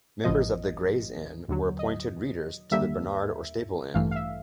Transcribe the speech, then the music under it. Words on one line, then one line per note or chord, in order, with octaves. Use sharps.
Members of the Gray's Inn were appointed readers to the Barnard or Staple Inn.
A1 A2 F3 D#5
D#2 D3 F#3
D#5
D#2 D3 G3 A#3 E5
A1 G2 E3 A3 F5
F5
E5